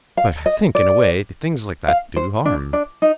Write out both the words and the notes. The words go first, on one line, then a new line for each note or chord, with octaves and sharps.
But I think, in a way, things like that do harm.
F5
D#5
D5
F5
C5
D4
D4
D#4